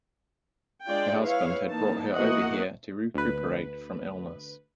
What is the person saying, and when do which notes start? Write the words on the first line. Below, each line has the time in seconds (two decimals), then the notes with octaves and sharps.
Her husband had brought her over here to recuperate from illness.
0.86 G#3 D4 F4 D5 G5
1.23 E4 B4 C#5 F5
1.69 E3 A#3 D#4 A5
2.12 E3 A#3 B3 F#4 D#5 F#5
3.14 D2 B4